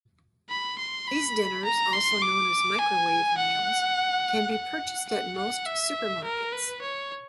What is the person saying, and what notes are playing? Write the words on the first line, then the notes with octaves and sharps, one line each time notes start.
These dinners, also known as microwave meals, can be purchased at most supermarkets.
B5
C6
B5
A#5
C6
D6
G#5
F#5
F#5
F#5
F#5
E5
A#4
B4
C#5